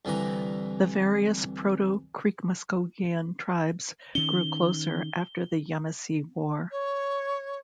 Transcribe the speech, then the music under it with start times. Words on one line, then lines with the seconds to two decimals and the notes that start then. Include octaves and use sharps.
The various proto-Creek Muskogean tribes grew closer after the Yamasee War.
0.05 C2 D3 E3 E5 A#5
4.15 D#3 C#4 G7
6.71 C#5